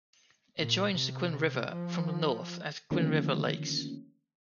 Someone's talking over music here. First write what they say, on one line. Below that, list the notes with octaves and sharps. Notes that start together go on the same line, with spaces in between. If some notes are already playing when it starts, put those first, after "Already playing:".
It joins the Quinn River from the north at Quinn River Lakes.
A#2
C3
F3
D3 D#3 F3 A3 A#3 C#4